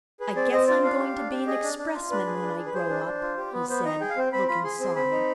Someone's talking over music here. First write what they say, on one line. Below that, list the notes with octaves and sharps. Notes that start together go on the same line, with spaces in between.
'I guess I'm going to be an expressman when I grow up,' he said, looking sorry.
G#4 B4
C4 D5
C4 D#5
F4 D5
D4 F5
G4
D4
G4
G#4 D#5
D4
D4
F4
D4 B4
G#4
D4
G#4
B4
G#4 C5
D4
D4
F4
G4
B3
B3 C5
D#4 D#5
G#4 G5
F5
C4 G5
C4 B5
F4 B5
G#4 C6
C4 C6
C4 B5
D#4